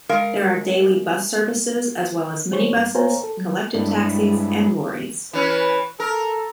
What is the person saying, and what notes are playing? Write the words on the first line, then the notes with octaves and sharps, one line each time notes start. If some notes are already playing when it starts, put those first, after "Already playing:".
There are daily bus services as well as minibuses, collective taxis and lorries.
G#3 A#4 F5
E3 G#4 C5 C#5 C#6
G2
A#4 C5 C#5 F5 G#5 A#5
A4
F#3
G2 G#3 D4 E4
E3 C#4 B4
A4 A#4